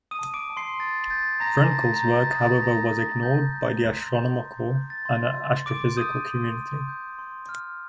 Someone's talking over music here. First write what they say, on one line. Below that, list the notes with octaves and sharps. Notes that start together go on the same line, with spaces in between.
Frenkel's work, however, was ignored by the astronomical and astrophysical community.
D#6 D#7
A5
D6 D7
A5
C6 C7
A5 A6
G6 A6
A5 A#5 A#6
A5 A6
A#5 A#6
G6
A6
D#6
A6
A5 A#5 A#6
D#6 A6
A5 G6
G6
C6
G6
C6
G6
A6
C6
C6
C6 D6 D7
D#6 G6 D#7
C6
C6
G6
C6
F6